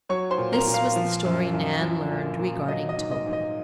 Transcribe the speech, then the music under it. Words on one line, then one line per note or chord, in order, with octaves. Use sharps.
This was the story Nan learned regarding Toby.
F#3 C#5 C#6
C5 C6
A#2
A#4 A#5
A#2
F5
F3
F#2
F#2
F3
A#2
A#2
F#3 D#5
D#5
G#2
D#5
G#2
D#5